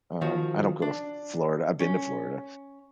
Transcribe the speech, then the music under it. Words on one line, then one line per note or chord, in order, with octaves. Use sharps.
um, I don't go to Florida. I've been to Florida,
D#3 F3 F#4
D4
C#4